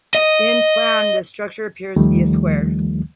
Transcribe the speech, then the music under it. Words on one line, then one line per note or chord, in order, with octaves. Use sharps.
In plan, the structure appears to be a square.
D#5
D#2 D#3 F3 G3 A3